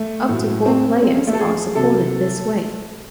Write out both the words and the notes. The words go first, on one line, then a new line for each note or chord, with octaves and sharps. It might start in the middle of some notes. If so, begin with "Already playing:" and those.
Up to four players are supported this way.
Already playing: A3
A2 F#3
C4
C4
C#4
A3
A4
G#4
C3 F#3 A4